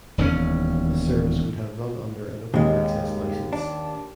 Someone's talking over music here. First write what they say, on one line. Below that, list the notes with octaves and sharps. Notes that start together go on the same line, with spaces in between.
This service would have run under an open access licence.
E1 D#2 E3 C#4
D#2 C#3 G#3
D4